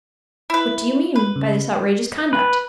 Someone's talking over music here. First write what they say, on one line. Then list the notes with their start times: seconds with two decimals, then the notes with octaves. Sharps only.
What do you mean by this outrageous conduct?
0.50 E4 B4
1.16 B4
1.36 C#3
2.33 B4